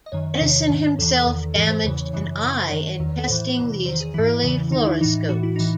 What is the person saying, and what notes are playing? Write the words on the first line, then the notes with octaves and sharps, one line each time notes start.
Edison himself damaged an eye in testing these early fluoroscopes.
D#5
F#2 D#3 C#5
D#5
E2 C3 D#3 C#5
G#2 D#3
E2 C3 E3 A4
E2 D#3
G#2 E3 A4
C5
E2 C#3 E3 C#5
C#5
F#2 C#3 E3
F#2 C#3 E3
C5
F#2 D#3 C#5
E2 D#3
A4
A2 E3 C5
E2 C3 E3
E2 D#3 C5
G#4
G#2 E3 E4
E2 C#3 E3
E2 D#3 D#4
E4
A2 E3 D#4
A2 E3 F#4
E4
A2 E3 D#4